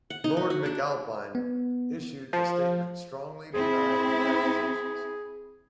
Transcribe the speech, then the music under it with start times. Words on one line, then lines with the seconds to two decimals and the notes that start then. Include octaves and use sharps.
Lord McAlpine issued a statement strongly denying the accusations.
0.10 F#5
0.24 D#4
0.37 D#4
0.50 F#4
0.66 D4
1.35 B3
2.33 F3
3.54 C4 E4 G#4